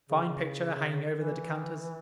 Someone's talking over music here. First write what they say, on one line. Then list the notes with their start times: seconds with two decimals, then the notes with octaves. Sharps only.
Fine picture hanging over the decanters.
0.09 C#3
0.24 C#3
1.17 E3